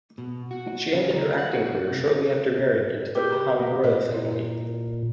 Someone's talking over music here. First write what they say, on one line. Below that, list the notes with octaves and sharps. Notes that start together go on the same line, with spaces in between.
She ended her acting career shortly after marrying into the Pahang royal family.
B2
F#4
C#3
D#4
F#5
F#4
C3
G4 G#4 A#4 B4
A#3 B3
A#2 A#4 D#5
E4